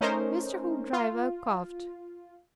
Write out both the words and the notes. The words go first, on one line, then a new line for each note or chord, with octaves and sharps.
Mr. Hoopdriver coughed.
A3 C#4 D#4 A#4 C5
F4